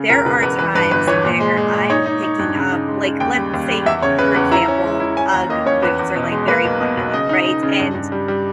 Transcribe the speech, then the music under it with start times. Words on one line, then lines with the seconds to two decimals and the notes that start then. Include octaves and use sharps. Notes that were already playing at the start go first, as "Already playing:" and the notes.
there are times where I'm picking up, like, let's say, for example, UGG boots are like very popular, right? And
Already playing: C#3
0.09 E1 A#4
0.26 E1 B4
0.43 E2 B4
0.59 E3 B4
0.75 G2 B4
0.91 G1 B4
1.07 E3 C#5
1.24 A#2
1.40 G#3
1.57 G#3
1.73 A#2
1.90 D#4 C#5
2.06 D#4
2.23 D#4
2.39 G2
2.55 C#3
2.72 D#4
2.88 G#3
3.04 C#3
3.20 D#2 G5
3.38 G3
3.54 D#2
3.70 G3
3.86 E2 E5
4.03 C#3 C#5
4.18 C#3 B4
4.35 E2 B4
4.51 E4 A#5
4.68 C#4
4.84 G#3
5.00 E4
5.17 C#4 G#5
5.33 D#2 A#5
5.49 A#3 D#5
5.66 C#4 C#5
5.82 E2 B4
5.99 E2
6.15 B2
6.32 G#3
6.48 A#3 B4
6.65 B1
6.81 B2
6.97 B1
7.13 C#3 D#5
7.29 D#4
7.46 D#4
7.63 C#3
7.79 G2
7.95 G2
8.12 G3
8.28 G3